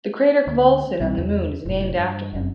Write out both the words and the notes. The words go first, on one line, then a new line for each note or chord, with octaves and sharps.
The crater Khvolson on the Moon is named after him.
D2
B1 G3 C4
E2 C#3
F1 A2
G2
F#1 F#2